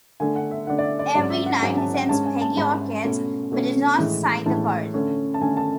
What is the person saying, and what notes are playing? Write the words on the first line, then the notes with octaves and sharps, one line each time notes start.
Every night, he sends Peggy orchids, but does not sign the card.
D3 A3 D4 G#5
F#5
E5
D3 A3 D4 F#5
D5
E5
D5
G#2 F#3 C#4 D5
E5
F#5
F#5
G#2 F#3 C#4 G#5
A5
F#5
G#2 G#3 C#4 A5
G#5
A5
G#2 G#3 C#4 B5
B2 A3 C#4
B2 A3 C#4
A2 E3 G#3
A2 E3 G#3 A5
D3 A3 C#4
A5
D3 A3 C#4 G#5
A5